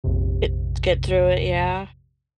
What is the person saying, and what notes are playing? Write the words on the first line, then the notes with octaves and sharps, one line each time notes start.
Eh, get through it, yeah.
A#1 F2 C3